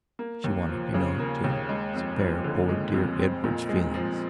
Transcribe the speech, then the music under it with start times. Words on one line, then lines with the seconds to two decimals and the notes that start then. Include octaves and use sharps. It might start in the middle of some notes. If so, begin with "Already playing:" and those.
She wanted, you know, to spare poor dear Edward's feelings.
0.19 A#3
0.44 D#2
0.69 F3
0.94 C#3
1.19 A#3
1.44 D#2
1.69 G#3
1.94 F2
2.19 F3
2.44 D3
2.69 G#3
2.94 F2
3.19 C4
3.44 A#2
3.69 G#3
3.94 F3